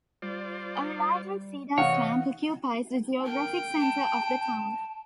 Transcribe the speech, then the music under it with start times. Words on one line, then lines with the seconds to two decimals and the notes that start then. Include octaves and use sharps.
A large cedar swamp occupies the geographic center of the town.
0.22 G3 F4 C5 D5
1.78 C3 E3 C#5 D#5 F5 F#5
3.25 A#4 G5
3.80 A5